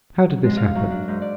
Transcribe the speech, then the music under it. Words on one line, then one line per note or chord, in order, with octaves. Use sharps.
How did this happen?
G#3
F5
F#2
D4
G#2
D5